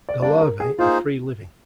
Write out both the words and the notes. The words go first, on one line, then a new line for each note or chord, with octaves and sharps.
The larvae are free living.
D5
G3 A#3 D4 D5
A#4
G#4
A#3 D#4 F4 G#4 C5